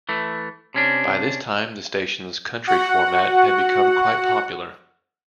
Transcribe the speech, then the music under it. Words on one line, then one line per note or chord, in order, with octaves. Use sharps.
By this time the station's country format had become quite popular.
E3 A3
C3 C#4 D4
F#4 F#5